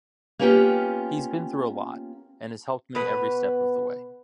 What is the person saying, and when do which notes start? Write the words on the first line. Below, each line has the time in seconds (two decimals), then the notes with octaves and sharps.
He's been through a lot and has helped me every step of the way.
0.39 A#3 B3 C#4 F4 G4 G5
2.95 B2 B3 B4